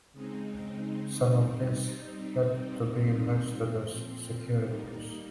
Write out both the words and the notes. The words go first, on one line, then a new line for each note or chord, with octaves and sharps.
Some of this had to be invested as securities.
C#3 G#3 C4 D#4
G3 C4 D#4
C3 G3 C4 D#4
A#2 F3 C4
G3 A#3 D#4